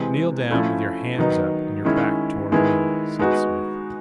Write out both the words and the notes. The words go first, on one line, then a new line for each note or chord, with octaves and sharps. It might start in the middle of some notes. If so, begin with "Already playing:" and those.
"Kneel down with your hands up and your back toward me!" said Smith.
Already playing: C3 E3 G#3 C4
F3 A3 C#4 E4 A4
D#3 F#3 B3 D#4
D#3 G#3 C#4 E4
D#3 G#3 B3 E4
G#3 B3 D#4 F#4